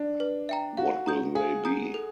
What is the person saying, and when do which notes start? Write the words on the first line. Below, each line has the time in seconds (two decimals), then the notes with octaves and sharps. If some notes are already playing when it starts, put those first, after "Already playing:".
What will they be?
Already playing: D4
0.20 B4
0.49 E5 G5 A#5
0.77 F#4 F5
1.06 A#5 D#6 G6
1.35 G#4 F5
1.65 A#5 D#6 G6
1.94 A4